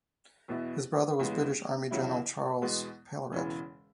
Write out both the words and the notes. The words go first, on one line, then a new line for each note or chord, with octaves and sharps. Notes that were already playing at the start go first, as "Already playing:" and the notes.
His brother was the British Army general Charles Palairet.
E2 B2 B3 E4
E2 C#3 G#3 B3
E2 C#3 F#3 E4
E2 B2 G#3 B3
E1 E2 C#3 E3 C#4